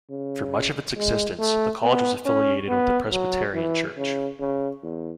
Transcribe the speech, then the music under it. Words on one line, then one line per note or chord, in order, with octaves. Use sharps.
For much of its existence, the college was affiliated with the Presbyterian Church.
C#3
G#3
A3
B3
C#4
B3
F#3
E3
C#3
C#3
E2